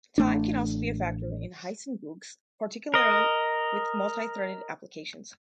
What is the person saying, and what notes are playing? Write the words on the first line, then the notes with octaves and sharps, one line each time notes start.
Time can also be a factor in heisenbugs, particularly with multi-threaded applications.
A1 A3 D4
A#4 D#5